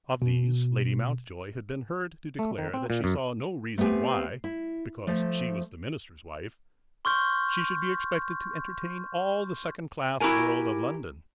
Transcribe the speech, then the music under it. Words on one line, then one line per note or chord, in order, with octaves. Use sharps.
Of these Lady Mountjoy had been heard to declare that she saw no reason why, because she was the minister's wife, she should be expected to entertain all the second-class world of London.
B2
A3
D#3
C4
A#2
F#2
A3 B3 C4 G4 G#5
E4
F3 A3
C6 C#6 F6 G6
E4 F#4 G4 A#4 G#5